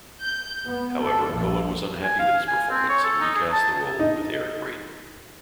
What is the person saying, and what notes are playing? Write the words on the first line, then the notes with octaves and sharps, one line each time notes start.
However Cohen was unhappy with his performance and recast the role with Eric Braeden.
G6
B3
A4
A#1
G#5
F5
G#5
C4
C#5
A4
D#4
G#4
A5
D#4